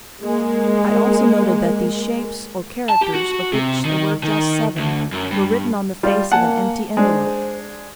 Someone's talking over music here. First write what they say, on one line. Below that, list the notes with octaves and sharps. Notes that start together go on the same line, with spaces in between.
I also noted that these shapes or characters, of which there were just seven, were written on the face of an empty envelope.
G#3 A#3
A5
G4
F#4
C3
D#3
D#3
D2
F#2
G2
G3 F4
A#3 F#5 G#5 A5
G#3 D4 C5